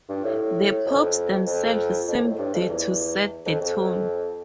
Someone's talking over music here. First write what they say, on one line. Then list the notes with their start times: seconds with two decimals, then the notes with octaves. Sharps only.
The popes themselves seemed to set the tone.
0.09 G2
0.24 A2
0.86 F2
1.47 F2
2.08 F2
2.24 A2
2.38 G2
2.54 F2
2.69 E2
3.46 F2
3.60 F2